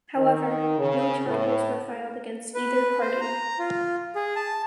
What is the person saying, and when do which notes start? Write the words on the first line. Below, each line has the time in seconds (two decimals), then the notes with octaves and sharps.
However, no charges were filed against either party.
0.17 D#3
0.78 C#3
1.27 A2
2.54 B4
3.01 C5
3.21 A#5
3.59 F4
4.15 G#4
4.36 A5